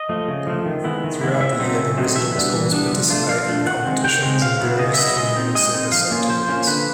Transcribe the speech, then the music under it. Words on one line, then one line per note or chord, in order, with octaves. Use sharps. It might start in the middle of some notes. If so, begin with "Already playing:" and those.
Throughout the year the residence halls participate in competitions and various community service activities.
Already playing: D#5
F3 A3
C#3
F3 A3
D#3
G#3 B3 E4
D#3
G#3 B3 E4
C#3 E5
F#3 A3 C4 D#4
C#3
F#3 A3 C4 D#4
E3 E5
G3 B3 D4
E3
G3 B3 D4
F3
A3 D4 F4
F3 F5
A3 D4 F4
D#3 F#5
G#3 C4
D#3 G5
G#3 C4
C#3 F5
F#3 B3 E4
C#3 D#5
E5
F#3 B3 E4 D#5
G#3 D#5
C4 D#4
G#3 D#5
C4 D#4
F3 F5
A#3 C#4 F4
F3 C5
A#3 C#4 F4
D3 B4